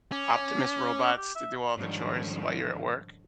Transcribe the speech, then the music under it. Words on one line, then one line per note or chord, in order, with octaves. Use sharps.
Optimus robots to do all the chores while you're at work?
C#4 D6
G4
E5
G#2 D3 D#3 F3 G3 C#4